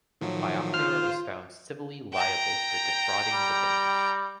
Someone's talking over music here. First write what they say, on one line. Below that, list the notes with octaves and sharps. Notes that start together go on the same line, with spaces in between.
Biafra was found civilly liable for defrauding the band.
A2 D#3 F3 F#3
F4 C5 F6
G5 A#5
G3